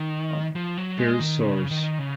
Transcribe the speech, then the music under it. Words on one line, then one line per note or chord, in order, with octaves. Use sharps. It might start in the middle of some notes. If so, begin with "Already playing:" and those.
Per source.
Already playing: D#3
F3
F#3
G#3
D#3
C#3
D#3
C#3